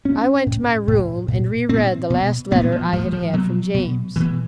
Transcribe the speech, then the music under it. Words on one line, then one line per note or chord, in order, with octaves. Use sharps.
I went to my room and re-read the last letter I had had from James.
A2 C#4
A2
A2
A#2
A#2 C4
B2
A#2 B3
F3
A2 F3
F3
B2 F#3
B2
B2 E3